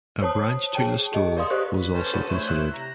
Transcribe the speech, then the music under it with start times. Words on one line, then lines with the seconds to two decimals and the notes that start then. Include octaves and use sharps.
A branch to Listowel was also considered.
0.21 C5 C#5 A5 D#6
0.75 G#4 C#5 G5 A5
1.12 G4 G#4 D#5
1.37 A#4 D5 F5 C6 D#6
1.50 G4 B4 C5 D#5 C#6 F#6
1.79 B4
1.94 C#4 A4 C5
2.13 D4 F#4 G#4 B4
2.29 A3 E4 C5 C#5
2.48 E5 F#6
2.74 C3 A#5